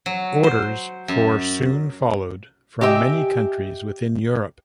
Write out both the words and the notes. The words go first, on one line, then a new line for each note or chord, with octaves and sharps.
Orders for soon followed from many countries within Europe.
F#3
C5
F#2
G4 D#5 E5 G5 G#5